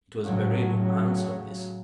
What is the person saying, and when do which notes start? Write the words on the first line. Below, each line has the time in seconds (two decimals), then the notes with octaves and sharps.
It was Beryl who answered this.
0.25 A2 C#3 F#3